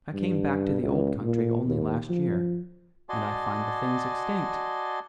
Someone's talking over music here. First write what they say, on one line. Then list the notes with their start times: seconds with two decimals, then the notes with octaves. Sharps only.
I came back to the old country only last year, and I find the thing's extinct.
0.13 G2
0.82 C#2
1.22 A#2
1.66 D#2
2.09 F3
3.09 F#4 D5 D#5 G#5 A5 C6